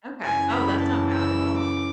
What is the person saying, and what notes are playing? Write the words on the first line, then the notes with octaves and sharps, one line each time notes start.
Okay, oh, that's not bad at all.
F#2 C#3 E3 G#5
B5
A5
E6
D6